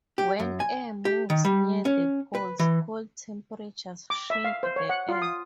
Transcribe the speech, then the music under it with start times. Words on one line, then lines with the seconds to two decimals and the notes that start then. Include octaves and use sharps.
When air moves near the poles, cold temperatures shrink the air.
0.18 G4
0.40 F#2
0.60 G#5
1.05 G4
1.30 D#3
1.45 G3
1.85 C#4
2.35 B4
2.59 E3
4.10 D6
4.30 E5
4.45 F5
4.63 C5
4.76 C#5
4.89 F#5
5.09 F4
5.22 D#6